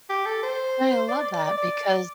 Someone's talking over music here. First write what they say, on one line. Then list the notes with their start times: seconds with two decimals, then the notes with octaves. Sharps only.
I love that because
0.10 G4
0.26 A4
0.43 C5
1.09 D5
1.21 D5
1.33 D5
1.46 D5
1.58 D5